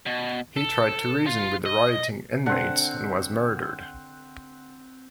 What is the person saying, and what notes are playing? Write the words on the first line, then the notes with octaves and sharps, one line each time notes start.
He tried to reason with the rioting inmates and was murdered.
B2
A4
F4
D#5
D3 C4 F#5